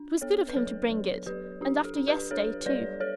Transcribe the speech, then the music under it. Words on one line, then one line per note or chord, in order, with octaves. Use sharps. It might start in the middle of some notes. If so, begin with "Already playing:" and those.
It was good of him to bring it; and after yesterday too!
Already playing: D4
B3 A4 C#5
B4
F#3 A4 C#5
F#3
F#3 G4 B4
D4 G4
A4
D4
G4 B4
D4 A4 C#5
G3 B4 D5
A4 C#5